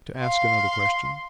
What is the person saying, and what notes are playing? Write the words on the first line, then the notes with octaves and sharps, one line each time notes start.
To ask another question.'
F5 C6